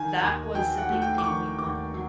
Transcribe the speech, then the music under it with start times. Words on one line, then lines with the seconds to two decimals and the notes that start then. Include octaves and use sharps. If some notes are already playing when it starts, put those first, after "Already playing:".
That was the big thing we wanted.
Already playing: D#3 G#5
0.20 D#2
0.55 F#3 G5
0.78 F#5
0.89 A3
1.02 G5
1.18 D6
1.24 D#3 C#6
1.58 D#2 D6
1.94 F#3